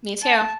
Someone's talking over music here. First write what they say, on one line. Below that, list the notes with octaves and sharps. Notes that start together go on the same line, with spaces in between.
Me too.
A5